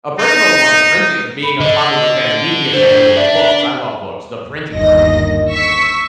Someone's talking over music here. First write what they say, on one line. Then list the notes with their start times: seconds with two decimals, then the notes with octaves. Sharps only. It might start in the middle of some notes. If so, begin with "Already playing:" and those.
a personal one, the printing of being a comic book fan and a media fan with books. I love books. The printing press,
0.18 D#4
1.43 B5
1.60 D3 D#5
2.73 D4 A4 C5 G5
3.16 D4 D5 E5
4.73 G1 D#2 D#3 D#5 A#6
5.50 C#6 E6 B6